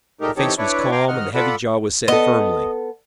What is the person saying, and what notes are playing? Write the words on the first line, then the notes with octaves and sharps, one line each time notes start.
The face was calm and the heavy jaw was set firmly.
A#2 G#3 A3 D#4 G4 A#4
E3 C4 D#4 G4 A4 C#5
D4 E4 B4 C#5 D5
F5 G5 G#5 A#5 C6 D6
G#2 D#3 D#5 F#5 F6
F4 A4 D5 F#5 B5 E6
B3 A4 D#5